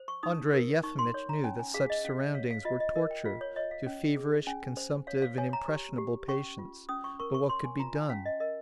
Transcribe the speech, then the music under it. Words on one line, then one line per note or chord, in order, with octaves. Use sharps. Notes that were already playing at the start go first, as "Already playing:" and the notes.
Andrey Yefimitch knew that such surroundings were torture to feverish, consumptive, and impressionable patients; but what could be done?
Already playing: C5
C#6
D#4 D#6
A#4
D#4 C#6
C6
C#5
A#5
C#4 G#5
G#5
G#4 F5
D#5
C#4 F5
C#5 F5
F5
F4 D#5
D#5
A#4 D#5
G5
F4 F5
C#5
C#5 D#5
F5
C#4
G#4
C#4 G#5
C5
C#5 F5
F5
C#5 G#5
A#5
G4
G4
C#4 C#6
F4
C#4 D#6
C#6
A#4 C#6
C#6
C#5 C6
G#5
F4 A#5
G#5
C#4 F5
D#5
A#4 D#5